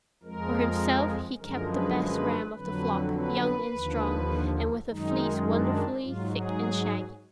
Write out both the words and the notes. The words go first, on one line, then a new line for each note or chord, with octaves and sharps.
For himself he kept the best ram of the flock, young and strong, and with a fleece wonderfully thick and shaggy.
F2 F3 G#3 A#4
F#2 D3 F3 G#3 A#4
B4
B4
F2 D3 F#3 B4
B4
D#2 D3 F3
F#2 D#3 G#3 D#4
D4
G#2 F#3 F4
G#4